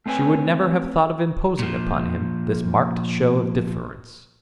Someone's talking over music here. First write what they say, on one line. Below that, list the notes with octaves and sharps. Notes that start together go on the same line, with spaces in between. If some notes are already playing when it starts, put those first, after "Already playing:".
She would never have thought of imposing upon him this marked show of deference.
A3 C4 C#4 B4 G#5
A#2 F3